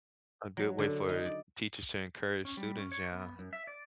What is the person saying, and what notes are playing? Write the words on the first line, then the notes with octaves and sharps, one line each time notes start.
A good way for teachers to encourage students, yeah.
F#3
D3
D#4
D5
C#4
G3
C#4
C#5
B3
F#2
E5
D5